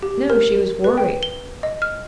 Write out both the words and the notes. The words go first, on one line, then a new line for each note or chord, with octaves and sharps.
"No--she was worried."
G4
A#4
B4
G5
G7
D#5
F6